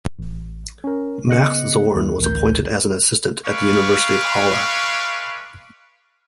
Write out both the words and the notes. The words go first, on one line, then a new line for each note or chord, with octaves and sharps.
Max Zorn was appointed as an assistant at the University of Halle.
A1
C#4 A#4
C#3 B3 D#5 F#6 C#7
D#2 E4
A1 D2 A#4 G6
G#3 A3 B4 F5 C#6 D6